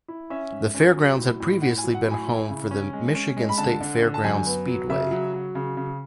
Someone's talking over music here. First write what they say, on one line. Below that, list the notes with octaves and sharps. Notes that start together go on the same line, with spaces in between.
The fairgrounds had previously been the home for the Michigan State Fairgrounds Speedway.
E4
C#4 E5
G#2
C#4
F#3
A2
A2
A2 F#5
G#5
F#3
F#5
A2
G#5
E4
C#3
C#4
G#3
C#4
G#3
B5
D3 A5
D3
D3
A5
F#2 G#5
B3
F#3
C#3 E5
F#3
F#3
C#3
C#3